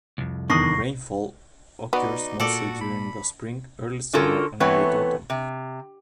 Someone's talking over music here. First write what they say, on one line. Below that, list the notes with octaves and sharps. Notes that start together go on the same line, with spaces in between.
Rainfall occurs mostly during the spring, early summer and late autumn.
C2 F2
E2 D#3 D4 C#6 D#6 A#6 C7
B3 D#4 F#4 D5
A#2 F#4 A4 D5
B5
D3 C#4 F4 F#4 A4 A#4
E3 A3 B3 C4 B4 C#5
C3